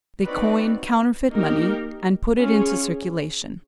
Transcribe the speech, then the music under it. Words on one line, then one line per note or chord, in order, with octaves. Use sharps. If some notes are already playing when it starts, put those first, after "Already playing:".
They coin counterfeit money, and put it into circulation.
C4 D#4 F#4 B4 D5
A#3 D#4 G4 A#4
C#4 F4 G#4